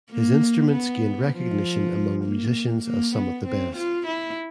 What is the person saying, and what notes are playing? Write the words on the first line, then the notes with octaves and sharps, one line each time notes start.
His instruments gained recognition among musicians as some of the best.
A#3
B3
F3
A#3
A#3
B3
C4
F4
E4